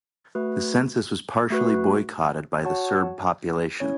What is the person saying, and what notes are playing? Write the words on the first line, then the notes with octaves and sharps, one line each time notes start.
The census was partially boycotted by the Serb population.
A3 F#4 B4
A3 F#4 B4
F#4 C#5 F#5 A5
C#4 E4 C#5